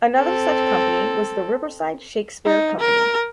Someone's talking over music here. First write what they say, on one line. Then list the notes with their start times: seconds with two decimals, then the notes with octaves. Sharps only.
Another such company was the Riverside Shakespeare Company.
0.17 C4 A4
2.45 D#4
2.80 A#4